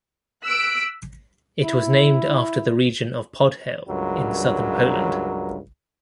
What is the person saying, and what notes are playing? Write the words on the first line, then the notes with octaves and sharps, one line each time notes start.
It was named after the region of Podhale in southern Poland.
E6 F#6 B6 D7
E4
C#2 G2 F#3 A#4